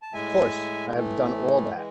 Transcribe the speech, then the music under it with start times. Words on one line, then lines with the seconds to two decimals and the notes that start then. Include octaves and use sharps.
Of course, I have done all that.
0.02 A5
0.12 A2 G#3 E5 G#5
0.93 A2 E3 A3
1.74 E3 G#3